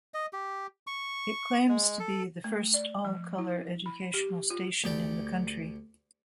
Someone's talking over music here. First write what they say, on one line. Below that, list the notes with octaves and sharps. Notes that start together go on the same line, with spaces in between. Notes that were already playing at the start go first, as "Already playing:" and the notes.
It claims to be the first all-color educational station in the country.
D#5
G4
C#6
G#3
A4
A3
D5
F3
E4
B5
G4
F4
D2 G4 D5